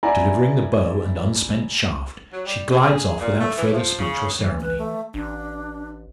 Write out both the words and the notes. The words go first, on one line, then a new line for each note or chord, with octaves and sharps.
Delivering the bow and unspent shaft, she glides off without further speech or ceremony.
E4 D5 F#5 G#5 A#5
F#3
G3
G#4
A#2
A3
E3
F3
C#3
E3
B4
A3
A1 D4